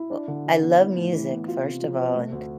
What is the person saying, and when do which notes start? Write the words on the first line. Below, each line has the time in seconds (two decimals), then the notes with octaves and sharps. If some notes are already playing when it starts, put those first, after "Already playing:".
Wel I love music, first of all, and
Already playing: E4
0.10 D4
0.28 D3
0.46 F3
0.62 B3
0.79 E4
0.97 A2
1.13 E3
1.31 B3
1.48 F4
1.64 C3
1.82 F3
1.99 C4
2.15 A3
2.32 D2